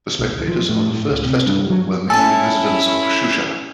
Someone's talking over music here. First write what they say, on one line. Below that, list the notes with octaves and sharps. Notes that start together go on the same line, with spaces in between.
The spectators of the first festival were mainly residents of Shusha.
B1
D1
F3
A2
A2
C#2
C3
G2
F#3
C#4 E4 A4 G#5 A5